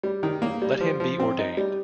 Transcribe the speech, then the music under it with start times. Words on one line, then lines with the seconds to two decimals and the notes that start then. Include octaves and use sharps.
Let him be ordained.
0.03 G3
0.23 D#3
0.42 A#3
0.62 G3
0.81 F3
1.00 F3
1.20 C4
1.38 D#4
1.57 G3